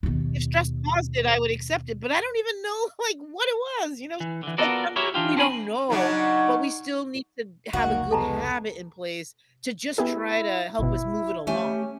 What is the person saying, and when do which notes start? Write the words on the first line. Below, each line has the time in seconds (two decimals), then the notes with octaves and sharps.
"if stress caused it, I would accept it," but I don't even know, like, what it was, you know? Like, sometimes we don't know, but we still need to have a good habit in place to just try to help us move it along.
0.03 D#2 B2
4.20 E3
4.43 D3 E3
4.58 B3 F4 F#4 A4 A#4 D5
4.96 E4 F#4 G4 A#4 C#5 E5
5.14 E3 D4 F4 G4
5.36 C4 D4 C5 F#5 G#5 B5
5.90 C#3 F#3 D4 D#4
7.73 F1 C#2 F#2 D#3 A#3 F#4
8.11 E3 G#3 B3 A4 A5 A#5
9.98 B3 E4 G4 G#4
10.79 G#1 B2 E4
11.47 A3 C#4 G4 G#5